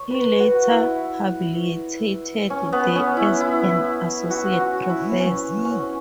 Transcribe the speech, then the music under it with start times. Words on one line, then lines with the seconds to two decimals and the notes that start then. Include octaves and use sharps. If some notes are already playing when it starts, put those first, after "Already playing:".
He later habilitated there as an associate professor.
Already playing: C#5
0.10 B4
0.40 F#4
0.70 E4
2.50 C#4
2.72 B3
2.95 C#4
3.17 E4
3.40 E4
4.30 F#4
4.60 F#4
4.89 E4
5.20 C#4
5.65 C#4